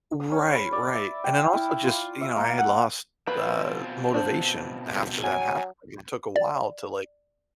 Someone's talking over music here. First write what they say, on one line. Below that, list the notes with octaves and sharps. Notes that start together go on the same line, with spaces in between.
Right, right. And then also just, you know, I had lost, uh, motivation after that happened to me. It took a while to, like,
D#6
C#4
B5
D5
E5
G5
F5
E4
F4
E5
A#3
F#5
B2 C4 F4 B4
D4 C5
F#3 G#5
D5